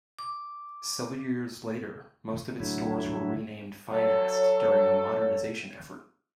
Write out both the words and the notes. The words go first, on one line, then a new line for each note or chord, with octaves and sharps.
Several years later, most of its stores were renamed Finast during a modernization effort.
D6
A2 D3 F#3 E4
F#3 A4